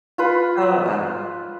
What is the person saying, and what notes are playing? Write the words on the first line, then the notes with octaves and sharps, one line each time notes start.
Oh, wow.
F4 B4